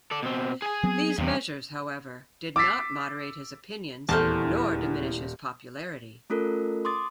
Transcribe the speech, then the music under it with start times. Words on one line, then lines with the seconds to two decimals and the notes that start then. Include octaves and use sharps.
These measures, however, did not moderate his opinions, nor diminish his popularity.
0.11 A4 D5
0.23 B2 C4
0.62 G#4 G#5
0.83 F#3 B3 C4
1.18 E2 G2 C3 E3
2.56 D6 E6 A6 B6 C7
4.09 D#1 E2 A3 E4 C5 A5 F6
6.30 A3 C#4 F4 A4 A#4
6.85 C6 D6 D#6 A6